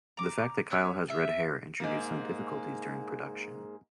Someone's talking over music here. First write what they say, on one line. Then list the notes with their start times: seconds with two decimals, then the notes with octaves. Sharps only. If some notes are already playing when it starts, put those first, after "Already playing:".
The fact that Kyle has red hair introduced some difficulties during production.
0.17 A#5 D6
0.70 B3 C#5 E6
1.08 F4 E5
1.80 G#2 A#3